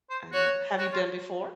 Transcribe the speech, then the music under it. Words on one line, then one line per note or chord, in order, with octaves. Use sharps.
I know. Have you been before?
C5
F#4 C#5
F#4 C#5
F4